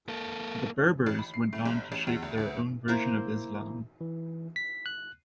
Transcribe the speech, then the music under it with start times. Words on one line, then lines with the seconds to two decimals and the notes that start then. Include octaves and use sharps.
The Berbers went on to shape their own version of Islam.
0.09 A#3 A4
1.06 A1
1.19 B5
1.34 C7
1.53 A2
1.66 G1
1.92 A1
2.07 E2
2.22 D2
2.38 D2
2.88 A#3 E4 A#4 C5
4.01 E3
4.56 B6
4.86 F#6